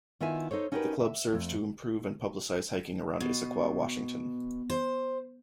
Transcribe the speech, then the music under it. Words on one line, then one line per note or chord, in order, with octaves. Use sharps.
The club serves to improve and publicize hiking around Issaquah, Washington.
D#3 B3 E4 F4 E5 G#5
D#4 A4 C5 C#5
C#4 D#4 F#4 G4 A#4 B4
E5
F2 A3
B2
C5